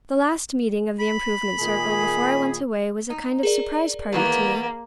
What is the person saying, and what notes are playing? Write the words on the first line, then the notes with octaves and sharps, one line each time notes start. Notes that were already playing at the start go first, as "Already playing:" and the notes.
The last meeting of the Improvement Circle before I went away was a kind of surprise party to me.
B5
A#2 D#3 G#4
D#4
G#4 A#4 D5
D#3 E3 A#3 B3